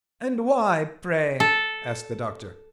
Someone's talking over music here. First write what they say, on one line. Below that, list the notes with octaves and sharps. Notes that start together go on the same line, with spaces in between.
"And why, pray?" asked the Doctor.
A4